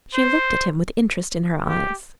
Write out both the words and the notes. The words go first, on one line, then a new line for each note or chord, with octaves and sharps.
She looked at him with interest in her eyes.
C5
G4